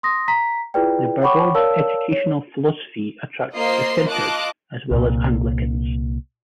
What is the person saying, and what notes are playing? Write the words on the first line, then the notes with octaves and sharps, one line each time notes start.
The Barbaulds' educational philosophy attracted Dissenters as well as Anglicans.
C6 D#6 A#6
A#5 B6
E4 F4 G#4 B4 D5 G5
C#5 F#5 G5 B5 C#6 D6
A#4 C#5 D5 F5 A5 E6
C#5
A#3 F4 C5 D#5 C6 C7
F4 D#5 A5 D6 F#6
C2 A#2